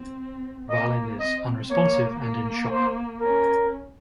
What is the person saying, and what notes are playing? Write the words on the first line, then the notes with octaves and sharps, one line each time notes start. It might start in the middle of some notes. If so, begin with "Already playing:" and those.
Valin is unresponsive and in shock.
Already playing: C4
A#3 D#5
C4 D#5
A#3 C#5
A#3
C5
C#4 A#4